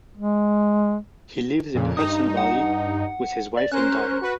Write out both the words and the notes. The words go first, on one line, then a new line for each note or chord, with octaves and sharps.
He lives in the Hudson Valley with his wife and daughter.
G#3
F2 A#2 C#3
G2 D#4 D#6
F#5
D5
C#4 A#4 C5 F#6
F#4 B4